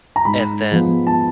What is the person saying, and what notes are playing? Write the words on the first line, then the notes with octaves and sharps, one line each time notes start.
And then
A#5
G#2 B5
F3 G#3 B3
A5